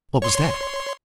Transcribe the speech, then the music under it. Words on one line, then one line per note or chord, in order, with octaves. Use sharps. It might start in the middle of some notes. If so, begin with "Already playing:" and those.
What was that?
C#5 C6